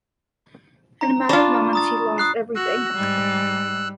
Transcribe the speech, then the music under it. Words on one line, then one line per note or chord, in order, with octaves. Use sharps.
In a matter of moments, he lost everything.
A#5
D4 F4 B5 C#6 E7
A#5 D#6 A6
D#6 F#6 C7
F#4 E6 F#6
G#2 G3